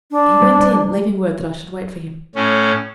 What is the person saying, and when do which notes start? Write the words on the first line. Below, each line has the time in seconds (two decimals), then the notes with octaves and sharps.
He went in, leaving word that I should wait for him.
0.11 D4
0.42 G3
0.61 G3
2.35 A2 C#4